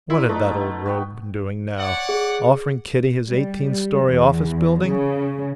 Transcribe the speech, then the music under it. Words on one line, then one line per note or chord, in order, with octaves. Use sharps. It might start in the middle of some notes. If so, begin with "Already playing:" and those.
What had that old rogue been doing now--offering Kitty his eighteen-story office building?
A#2 E4 F4
B2 A3 D#4 B4
B2
F#4 B4 G5
C#5 D5 F#5
G#4
G3
E2
C#3